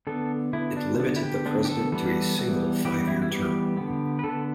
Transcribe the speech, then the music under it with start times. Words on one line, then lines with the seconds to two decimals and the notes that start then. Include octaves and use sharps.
It limited the president to a single five-year term.
0.07 D3 B3 A4
0.53 D3 B3 E4
0.77 D4
0.99 D3 B3 D4
1.16 E4
1.23 G4
1.46 D3 B3 D4
1.65 G4
1.69 A4
1.92 E3 G3 B3 A4
2.38 E3 G3 B3
2.85 E3 G3 B3 G4
3.07 E4
3.22 E4
3.31 E3 G3 B3 G4
3.77 D3 B3
4.19 B4
4.24 D3 B3 A4